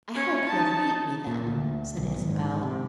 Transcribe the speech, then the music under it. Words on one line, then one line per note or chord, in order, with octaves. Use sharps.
"I hope he'll hate me then," said Isabel.
C#4 C#5
D#4 A5
A#2
D2
B1
G#1
G#2
C3